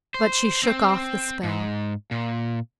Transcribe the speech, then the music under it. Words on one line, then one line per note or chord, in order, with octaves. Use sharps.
But she shook off the spell.
C5
C4
G#2
A#2